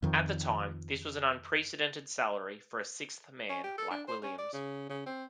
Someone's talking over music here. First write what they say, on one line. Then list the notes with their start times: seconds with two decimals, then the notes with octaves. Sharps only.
At the time, this was an unprecedented salary for a sixth man like Williams.
0.03 F2 D#3 F3
3.49 C#4
3.64 G4
3.78 A4
3.91 D4
4.08 C5
4.23 C#4
4.39 D5
4.53 C#3
4.89 C#3
5.06 C4